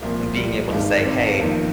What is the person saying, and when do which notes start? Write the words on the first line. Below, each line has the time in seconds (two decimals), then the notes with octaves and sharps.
being able to say, "Hey,
0.01 C2 A#2 F3 A#3
0.36 G3
0.70 G#1 G2 D#3 G#3
1.04 C4
1.39 G1 F2 D#3 A#3